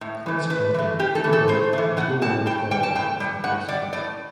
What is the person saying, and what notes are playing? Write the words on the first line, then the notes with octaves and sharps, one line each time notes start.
Consequently, Hildebert is no longer thought of as a philosopher.
A2
E3 A3
A2 B4
E3 A3
A2 G4
A4
E3 A3
A4
A2 C5
E3 A3
A2 F#5
G3 A5
A2 G5
G3 G5
A5
A2 G5
G3
A2 F#5
G3 D5
A2 D5